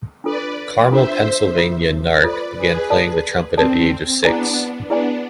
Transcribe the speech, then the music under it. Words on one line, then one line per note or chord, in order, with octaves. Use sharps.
Carmel, Pennsylvania, Nark began playing the trumpet at the age of six.
D4 F4 A4 B4 D5
D4 F4 A4 C5 E5
F4 A4 C5
F4 A4 B4 C5 D5
G#4 B4
A4 D5 A5
C4 A4 D5 A5
B3 D4 E4 G#4 D5 G#5 C6
B3 D4 E4 G#4 D5 G#5 C6